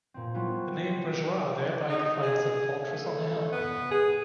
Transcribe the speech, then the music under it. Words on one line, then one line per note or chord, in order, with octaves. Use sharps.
The name Bressuire thereby defines a fortress on a hill.
A#2 C4
F#3 G3 B3 E4 F4
D#4
G#4
A3
B3
G#4